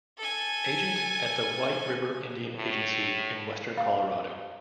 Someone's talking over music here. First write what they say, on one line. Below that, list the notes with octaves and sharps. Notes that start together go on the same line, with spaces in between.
Agent at the White River Indian Agency in western Colorado.
A4 G#5
A2
F5